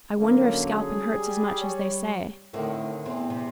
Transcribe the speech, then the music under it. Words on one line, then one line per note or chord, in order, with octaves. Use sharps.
I wonder if scalping hurts as much as they say.'
D3 F#3 A#3 C#4
G#4
G3
C#5
A2 D3 D#3 C4
E2 C4
C3